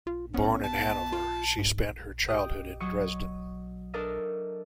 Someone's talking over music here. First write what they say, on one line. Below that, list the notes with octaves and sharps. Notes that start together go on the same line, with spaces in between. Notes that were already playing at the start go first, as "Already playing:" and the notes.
Born in Hanover, she spent her childhood in Dresden.
F4
B3 C#4
A5
F4
G#2
G4 D#5 D#6
F#3 D#5 C#6
D4 A4 A#4 D#5 E5